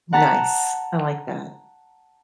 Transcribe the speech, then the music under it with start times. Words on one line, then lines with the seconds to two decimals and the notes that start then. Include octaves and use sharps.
Nice, I like that.
0.13 F#5 A5 A#5 A6 B6